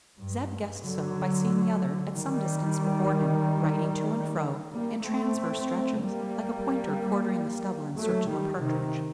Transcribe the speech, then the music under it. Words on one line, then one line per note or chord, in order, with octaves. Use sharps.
Zeb guessed so, by seeing the other, at some distance before him, riding to and fro, in transverse stretches, like a pointer quartering the stubble in search of a partridge.
G2
D3 F#3
D#3 G3
G3 A#3
A3 C4
G3 A#3
F#3 A3
D#3 G3
C3 D#3